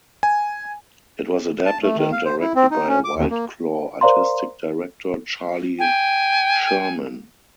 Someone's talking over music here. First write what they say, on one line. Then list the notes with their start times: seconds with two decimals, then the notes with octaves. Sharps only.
It was adapted and directed by WildClaw artistic director Charley Sherman.
0.23 G#5
1.66 A5
1.82 A3
1.97 D#3
2.12 F5
2.25 C5
2.41 E4
2.55 C4
2.71 D#4
2.88 C#4
3.04 D6
3.17 D#2
3.30 A#3
4.01 A#4 C5 D5 F5 A#5 C6
5.79 G5 G#5